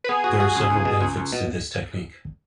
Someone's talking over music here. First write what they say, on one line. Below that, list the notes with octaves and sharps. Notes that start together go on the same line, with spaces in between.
There are several benefits to this technique.
B4
B3 G#4
F#4
F#4
C#2
C#2
B2
C#2
C#2
B2